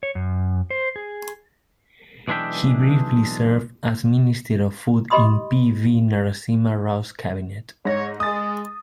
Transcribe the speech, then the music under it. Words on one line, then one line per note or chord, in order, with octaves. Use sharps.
He briefly served as Minister of Food in P. V. Narasimha Rao's cabinet.
C#5
F#2
C5
G#4
B1 E3 G#3 D4 E5 G5
G4 D#5 B5 C6 D#6
G#2 C#5 A#6
G#3 D#6 A6